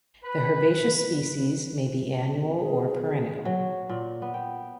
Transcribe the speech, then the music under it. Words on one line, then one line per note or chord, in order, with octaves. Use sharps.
The herbaceous species may be annual or perennial.
B4
G#4
F#3
A#2
B3
G5